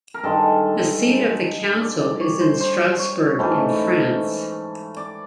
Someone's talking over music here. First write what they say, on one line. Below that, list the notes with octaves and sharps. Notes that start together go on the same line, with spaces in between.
The seat of the Council is in Strasbourg in France.
A#4
G2 D#3 G#3 A4
D5
D5
C#5
C5
C5
C#5
G#2 E3 A3 C#4
D5